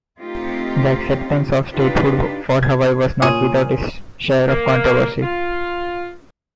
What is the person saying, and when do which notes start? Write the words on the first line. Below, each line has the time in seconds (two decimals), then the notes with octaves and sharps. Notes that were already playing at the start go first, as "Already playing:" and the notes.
The acceptance of statehood for Hawaii was not without its share of controversy.
0.18 A3 C4 D#4 F4 G4
1.72 D4 D#4 F4 G4 B4
2.63 G#6
3.22 A#2 C#4 F4 G#4 D#7
4.49 A#3
5.23 F4